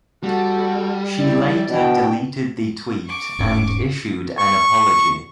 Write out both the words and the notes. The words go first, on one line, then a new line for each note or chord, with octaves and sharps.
She later deleted the tweet and issued an apology.
G3 F#4 A4
E4 D5
B2 D4 G5
C#6 D6
E1 G#2 C#4
C#6